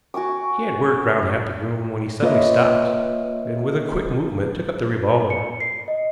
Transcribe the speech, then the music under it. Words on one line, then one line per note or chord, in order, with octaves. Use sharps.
He had worked round half the room when he suddenly stopped, and, with a quick movement, took up the revolver.
F#4 G#5 C#6 D6
A#3 F4 B4 C#5 D#5 E5
C#7
C7
D#5